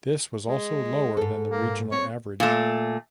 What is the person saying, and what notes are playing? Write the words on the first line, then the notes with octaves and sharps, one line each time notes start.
This was also lower than the regional average.
G#3
G#2 A4
A#3
C4 C#5
A#2 A3